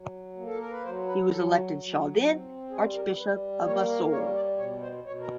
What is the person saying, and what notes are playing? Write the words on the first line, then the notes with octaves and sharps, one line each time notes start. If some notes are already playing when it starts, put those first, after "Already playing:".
He was elected Chaldean archbishop of Mosul.
Already playing: F#3
A#3
A4
A#4
B4
F#3 C5
B4
F#3 A4
F#4
F#3
C4
G3 G#4
A#4
G3 B4
A#3 C#5
G3 C#5
D5
B2 C#5
C5
B2 C#5
A#4